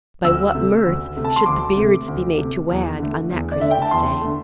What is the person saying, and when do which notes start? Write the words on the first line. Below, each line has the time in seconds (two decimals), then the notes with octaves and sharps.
By what mirth should the beards be made to wag on that Christmas Day?
0.24 D2 E6
0.54 C3 A3
0.86 D2
1.16 C3 A3
1.24 A5
1.36 C6
1.46 D2 D6
1.77 C3 A3
2.08 D2
2.38 C3 A3
2.69 E2
2.99 D3 A3
3.30 E2
3.52 D5
3.60 D3 A3 E5
3.71 G5
3.82 A5
3.91 E2 C6
4.21 D3 A3